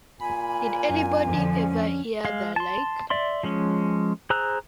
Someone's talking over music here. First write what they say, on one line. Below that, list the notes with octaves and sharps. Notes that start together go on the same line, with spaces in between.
Did anybody ever hear the like!
A#2 G#5 B5
F#2
F2 D3 F3
C#4
G#3 F5
A5 C6
D5 E5 C6
F3 G#3 C#4
G#4 C5 A#5 E6 F#6